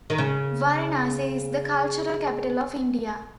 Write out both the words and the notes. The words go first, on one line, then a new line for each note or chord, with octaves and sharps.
Varanasi is the cultural capital of India.
D#3
C#3